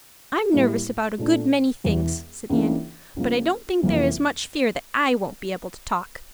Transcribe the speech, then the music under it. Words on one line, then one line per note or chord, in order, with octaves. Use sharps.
"I'm nervous about a good many things," said Anne, "but I don't think there is much fear that I won't be able to talk."
A2 G3 A#3 E4
A#2 A3 D4
E1 E2 E3
C#2 C#3 E3 A#3 D4
C#2 C#3 F3 A#3
F1 F2 E3 A#3